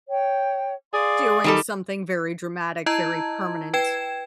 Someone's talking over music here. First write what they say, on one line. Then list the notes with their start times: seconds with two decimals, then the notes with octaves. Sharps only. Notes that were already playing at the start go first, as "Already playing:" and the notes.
doing something very dramatic, very permanent
0.09 C#5 G5
0.94 G#4 D5 F5 C6
1.44 D#3 G3 A4
2.86 E4 D#5 A5 A#5 E6 G#6
3.74 B4 G5 G#6 E7